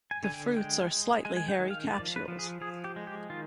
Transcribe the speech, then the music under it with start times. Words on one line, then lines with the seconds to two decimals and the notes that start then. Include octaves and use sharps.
The fruits are slightly hairy capsules.
0.11 G#5
0.23 D3 G#5
0.34 G5
0.56 G#3 G5
0.91 G#3
1.25 G#3 G#5
1.37 G#5
1.48 G5
1.59 D#3
1.70 F5
1.93 F3 D5
2.16 B4
2.28 F3
2.39 G#4
2.61 F3 G#4
2.84 G4
2.96 G#3
3.07 G4
3.30 D#3 F4